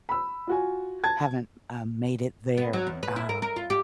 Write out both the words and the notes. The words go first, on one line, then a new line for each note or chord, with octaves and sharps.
haven't, uh, made it there, uh,
B5 E6
F4 F#4 G#5
A5 G#6
B3
F#3
E2
B4
E4
A#4
A#4
F4
G4